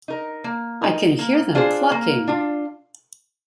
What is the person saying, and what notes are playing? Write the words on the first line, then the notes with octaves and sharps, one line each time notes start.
I can hear them clucking!
D#4 A#4
A#3
D#4 A#4
A#3
D4 F4 G#4 C5
A#3
D4 F4